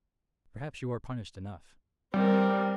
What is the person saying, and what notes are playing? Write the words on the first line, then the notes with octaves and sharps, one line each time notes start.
Perhaps you are punished enough.
G3 C4 A#4